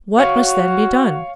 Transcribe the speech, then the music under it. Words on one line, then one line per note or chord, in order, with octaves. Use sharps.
"What must then be done?"
F#4 C#5 F5 C#6